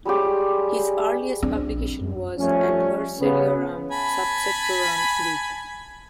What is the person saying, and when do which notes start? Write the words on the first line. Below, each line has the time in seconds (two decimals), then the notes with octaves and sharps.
His earliest publication was Adversariorum subsectorum lib.
0.05 G3 G#3 C#4 G4
1.42 C4 D4
1.69 A#1
2.00 F#2
2.38 F3 G3 A3 C#4
3.20 C#3 B3
3.91 G#5 A5 B5